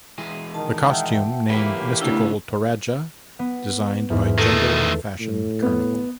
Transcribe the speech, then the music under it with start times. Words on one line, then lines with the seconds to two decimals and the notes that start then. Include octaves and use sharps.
The costume named ""Mystical Toraja"" designed by Jember Fashion Carnival.
0.18 E3 G#3 G#5
0.54 D#3 A5
0.90 E5 F#5 G5
1.49 A2 E3 A#3 G4 B4
2.02 C#3 A3 B3 D4 E4
3.39 B3
4.10 E2 G#2
4.38 D#3 A3 A4 A6
5.20 A2
5.62 B3